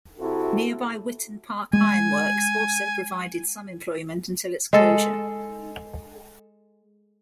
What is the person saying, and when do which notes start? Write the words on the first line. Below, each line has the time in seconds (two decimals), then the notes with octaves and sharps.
Nearby Witton Park Ironworks also provided some employment until its closure.
0.18 C3 E4 F#4 A4
1.73 G#3 G#5
4.73 G#3 A4